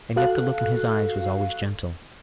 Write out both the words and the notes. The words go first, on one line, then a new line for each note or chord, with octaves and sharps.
And yet the look in his eyes was always gentle.
F#4 A4 F5 F#6